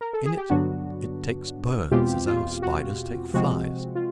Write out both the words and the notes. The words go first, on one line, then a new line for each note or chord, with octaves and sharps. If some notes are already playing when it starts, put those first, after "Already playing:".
In it it takes birds as our spiders take flies.
A#4
A4
G#4
G4
G2 D3 F#3 B3 D4 F#4
E2 B2 G#3 C4 F4 G4
F4
F#4
C3 F3 G#3 C4 F#4
F4